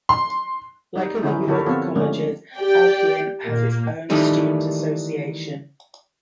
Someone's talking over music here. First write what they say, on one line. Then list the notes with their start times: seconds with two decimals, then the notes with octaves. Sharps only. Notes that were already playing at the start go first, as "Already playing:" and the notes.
Like other York colleges, Alcuin has its own Student Association.
0.09 C6
0.96 G3 D#4
1.22 D3 E3 F3 C#4 D#4 E4
1.47 D3 E4 G4 A4 A#4 C#5
1.66 F3 B3 C4 F4 A4 C#5
1.96 D3 F3 G#3 A3 C#4 D4
2.56 G4 D5 G5
3.44 A#2 A#3
4.10 D#3 E3 G3 A3 D#4